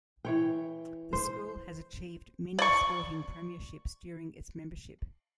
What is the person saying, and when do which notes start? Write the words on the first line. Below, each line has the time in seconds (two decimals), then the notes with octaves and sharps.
The school has achieved many sporting premierships during its membership.
0.25 E3 C#5 G5
1.13 C5
2.59 D5 C#6